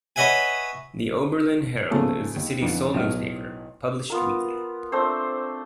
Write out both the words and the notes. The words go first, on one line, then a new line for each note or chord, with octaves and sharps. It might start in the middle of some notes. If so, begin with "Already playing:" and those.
"The Oberlin Herald" is the city's sole newspaper, published weekly.
B4 C#5 D#5 E5 F#5 G#5
A#2 C#3 F3 A3 G#4 A4
D#2
F2 D3 E3
B1 A2 D#5 F6
B3 F4 A#4
A3 C4 D4 C5